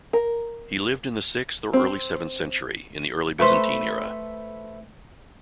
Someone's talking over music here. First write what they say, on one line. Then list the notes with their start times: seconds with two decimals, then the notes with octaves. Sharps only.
He lived in the sixth or early seventh century, in the early Byzantine era.
0.13 A#4
1.73 C4
3.39 A3 A4 B4 C5